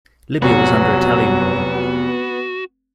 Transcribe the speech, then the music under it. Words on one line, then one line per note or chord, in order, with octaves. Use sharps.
Libya was under Italian rule.
F1 F#3 B3 F#4